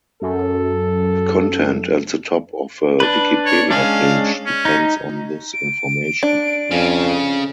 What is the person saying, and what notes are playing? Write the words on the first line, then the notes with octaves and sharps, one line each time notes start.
The content at the top of a Wikipedia page depends on this information.
F#2 A4
D4 B4
C#5
G#3 C#4 D4 F5
C#4
D#4
D7
D4
F2 C#3